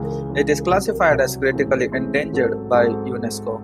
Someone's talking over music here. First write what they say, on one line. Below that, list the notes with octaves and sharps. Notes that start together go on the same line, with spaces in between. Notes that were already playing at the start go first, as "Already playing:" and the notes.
It is classified as critically endangered by Unesco.
Already playing: C#2 C#3 E3 G#3
C#2 C#3 E3 G#3
C2 C3 F#3
C2 C3 F#3
A1 A2 G#3 C4 E4
A1 A2 G#3 C4 E4
G#2 F#3 C4 F#4 A4
G#2 F#3 C4 F#4 A4